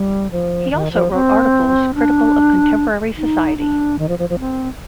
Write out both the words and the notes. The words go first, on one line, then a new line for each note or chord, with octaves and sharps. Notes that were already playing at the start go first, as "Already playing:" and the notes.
He also wrote articles critical of contemporary society.
Already playing: G3
F3
D#3
F3
C4
D4
D#4
D4
D#3
F3
F3
F3
C4